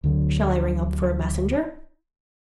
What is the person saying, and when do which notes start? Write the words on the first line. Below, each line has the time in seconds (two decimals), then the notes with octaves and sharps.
"Shall I ring up for a messenger?"
0.04 D2 D3 E3 F#3